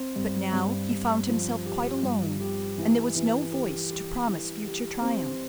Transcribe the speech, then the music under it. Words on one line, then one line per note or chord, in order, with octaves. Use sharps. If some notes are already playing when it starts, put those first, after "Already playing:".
But now he found himself quite alone; and there was no voice to promise future triumph.
Already playing: C4
G2
G2
G2
F3
G4
G2
G4
E3
E3
G4
G4
E3
G4
C4